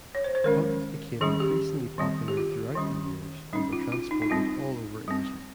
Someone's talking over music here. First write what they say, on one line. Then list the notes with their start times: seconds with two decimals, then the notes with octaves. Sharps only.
Pugs became increasingly popular throughout the years and were transported all over Asia.
0.15 C#5
0.24 C5
0.35 C5
0.44 D#3 G#3 C#4 A#4
1.21 D#3 G3 C#4 G#4
1.40 G4
1.98 D#3 G3 C4
2.28 G4
2.37 F4
2.75 D#3 G3 C#4
3.53 G3 C#4 D#4
3.73 F4
3.92 F4
4.11 D#4
4.22 D#4
4.30 G3 C4 F4
5.08 G3 C4